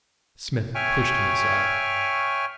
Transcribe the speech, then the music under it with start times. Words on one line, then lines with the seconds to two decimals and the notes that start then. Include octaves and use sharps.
Smith pushed him aside.
0.75 C#5 E5 G5 G#5 C#6 F6